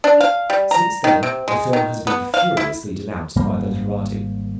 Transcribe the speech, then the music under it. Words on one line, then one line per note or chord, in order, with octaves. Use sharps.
Since then the film has been furiously denounced by the literati.
D4
F5
G3
A#5
D#3
C3
G#3
D#3
B3
F5
E4
G#1 G#2 G3 A#3